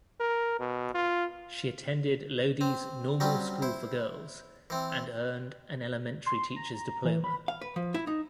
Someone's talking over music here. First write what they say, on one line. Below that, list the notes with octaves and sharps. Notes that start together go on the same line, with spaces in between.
She attended Lodi's Normal School for Girls and earned an elementary teacher's diploma.
A#4
B2
F4
C4
F#3 G3 C4 C#4
E4 C5
E3 C4
C6
A#5
E3
B5
F5
B4
F3
E4
D#4